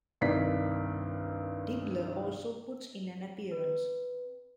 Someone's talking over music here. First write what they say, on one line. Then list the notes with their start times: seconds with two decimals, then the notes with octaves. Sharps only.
Dibbler also puts in an appearance.
0.21 C2 G2 D#3 D5 B6
3.52 B4